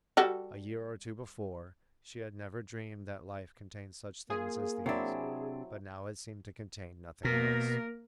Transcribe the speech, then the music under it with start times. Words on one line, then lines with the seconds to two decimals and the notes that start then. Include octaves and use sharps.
A year or two before, she had never dreamed that life contained such things as these; but now it seemed to contain nothing else.
0.17 G3 F#4 A4
4.30 A#3 F4 G#4
4.86 C3 F#3 C4 D4 E4
7.25 B2 A#3 A#4